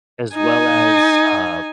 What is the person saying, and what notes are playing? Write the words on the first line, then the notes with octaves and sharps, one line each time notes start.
as well as, uh,
D#4 G#5